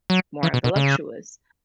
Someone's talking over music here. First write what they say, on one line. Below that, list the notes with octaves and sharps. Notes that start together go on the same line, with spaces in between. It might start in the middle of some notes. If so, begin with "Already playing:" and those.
more voluptuous,
F#3
E3
B2
B2
C#3